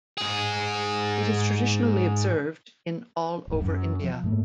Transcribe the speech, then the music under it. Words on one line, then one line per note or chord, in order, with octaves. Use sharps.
It is traditionally observed in all over India.
G#2 G#4
D1 G#2
F#2
F3
G#2 A3 A#3